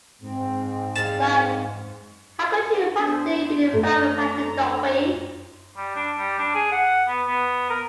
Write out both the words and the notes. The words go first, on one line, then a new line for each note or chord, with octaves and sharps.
Like, how could you possibly be a fan of Patrick Duffy?
G#2 C4
G3 G#3 F4 A5
B3 D4 C5
F#2 A3 A#5
G3
D4
G3
D4
G#4
F#5
B3
B3
A#4